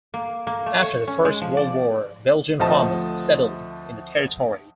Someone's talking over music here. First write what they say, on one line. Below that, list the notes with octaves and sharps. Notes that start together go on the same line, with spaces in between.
After the First World War Belgian farmers settled in the territory.
A#3
A#3
A3
C#5
C#4
G#3
F3
D5
D2 F3 A3 C4 D#5 A5